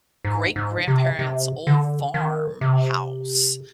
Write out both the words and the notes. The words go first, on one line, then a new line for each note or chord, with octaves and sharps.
great grandparents' old farm house,
G#2
G#2
C3
C3
D3
D#3
C3